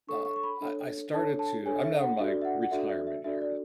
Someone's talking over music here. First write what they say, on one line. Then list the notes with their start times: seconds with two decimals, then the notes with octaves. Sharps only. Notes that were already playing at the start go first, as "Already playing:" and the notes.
uh, I- I started to I'm now in my retirement years,
0.07 D4 A4 C#5 C#6
0.25 C#6
0.36 C#6
0.43 B5
0.61 D4 A4 C#5
1.13 D4 A4 C#5 A5
1.39 A5
1.66 D4 A4 C#5 G#5
1.84 E5
2.01 F#5
2.19 D4 F#4 A4 D5 E5
2.42 E5
2.45 F#5
2.62 F#5
2.71 D4 F#4 A4 D5 E5
2.89 E5
3.07 E5
3.24 D4 F#4 A4 D5 E5
3.41 D5